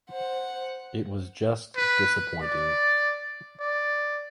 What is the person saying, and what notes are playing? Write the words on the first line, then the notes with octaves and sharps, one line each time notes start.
It was just disappointing.
C5 F#5
B4
D5
D5